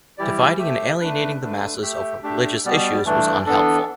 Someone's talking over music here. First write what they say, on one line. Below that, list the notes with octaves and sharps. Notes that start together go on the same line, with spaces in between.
Dividing and alienating the masses over religious issues was unhelpful.
E3 G3 E4 G4 D5
A3 G4 E5
A3 D4 B4
D3 A3 D4 B4
A3 G4 E5
A3 D4 G4 E5
B2 G3 B3 G4 D5
G2 E3 A3 D4
E3 B3 D4 A4